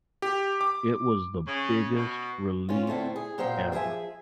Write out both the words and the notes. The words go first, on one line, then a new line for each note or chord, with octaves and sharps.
It was the biggest relief ever.
G4
D6
C#3
B2
C#4 F4
A2 D3 A3 C4
G#4
A#2 F#3 C5 G5
F3 G#4 B4 E5 G#5